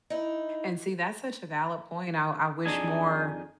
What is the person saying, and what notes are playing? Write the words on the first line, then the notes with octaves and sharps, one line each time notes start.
And see, that's such a valid point, and I I wish more
D#4 E4
F2 D4 D#4 G#4 G#5